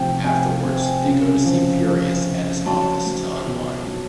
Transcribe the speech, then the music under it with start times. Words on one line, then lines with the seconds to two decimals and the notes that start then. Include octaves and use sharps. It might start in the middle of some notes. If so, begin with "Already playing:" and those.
Afterwards, they go to see Furious at his office to unwind.
Already playing: C3 F3 G5
0.24 C3 G#5
0.65 C3
1.05 C#3
1.45 F3
1.86 F3
2.26 C#3
2.66 F#3 A5
3.06 F#3
3.47 B2
3.87 F#3